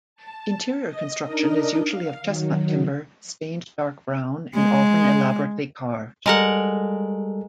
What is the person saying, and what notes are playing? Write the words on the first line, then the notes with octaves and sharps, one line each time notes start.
Interior construction is usually of chestnut timber, stained dark brown and often elaborately carved.
A5
D#5
D4 D#4 A#4 D#5
F5
D#3 F#3
G#3
G3 G#3 A4 A#4 F#5